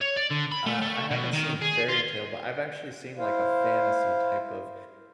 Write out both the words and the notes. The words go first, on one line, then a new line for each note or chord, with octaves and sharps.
Uh, I haven't seen Fairytale, but I've actually seen, like, a fantasy type of
C#5
D5
D3
B5
A3
A3
B2
D#3
G#4
F4
E4 C5 F5